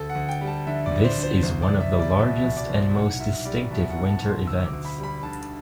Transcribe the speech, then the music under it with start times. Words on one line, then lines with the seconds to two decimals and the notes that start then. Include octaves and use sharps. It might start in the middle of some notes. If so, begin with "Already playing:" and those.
This is one of the largest and most distinctive winter events.
Already playing: D2 A4
0.10 F#5
0.15 D2
0.29 G5
0.41 G3
0.47 A5
0.67 D3 E5
0.86 D5
0.91 D2
1.04 C5
1.17 D2
1.23 C5
1.43 C2 C5
1.62 D5
1.68 C2
1.80 E5
1.93 G3
1.99 D5
2.19 B2 E5
2.38 E5
2.44 C2
2.57 D5
2.70 C2
2.75 C5
2.94 B1 F#5
3.20 B1 E5
3.45 G3 D5
3.71 B2 E5
3.90 F#5
3.96 B1
4.09 A5
4.22 B1
4.27 C6
4.47 D2 E6
4.66 D6
4.73 D2
4.85 B5
4.98 G3
5.03 B5
5.23 D3 A5